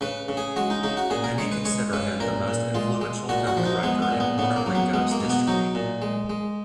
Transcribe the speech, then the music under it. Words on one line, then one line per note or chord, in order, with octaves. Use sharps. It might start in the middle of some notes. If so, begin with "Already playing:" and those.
Many consider him the most influential film director in Puerto Rico's history.
C#3 B4
C#3
G#4
G#3 F#4
D#4
C#3 D#4
F#4
A#2 G#4
A#4
G#3 C#5
B4
G#3 C#5
C#3 B4
A#2 A#4
A#2
G#3 F4
G#3
A#2 F#4
F#4
F3
D#4
G#3 B3
B3
A#2
B3
C#3 B3
A#3
F#3
B3
G#3 B3
A#3
B2
B3
F#3 D#4
A#2
G#3
G#3